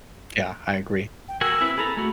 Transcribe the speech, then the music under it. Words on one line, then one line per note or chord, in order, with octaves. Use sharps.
Yeah, I agree.
G5
F#4 A#4 G#5 E6
C4 E4 B4
G#4 A4 A#5 B5
A3 F#4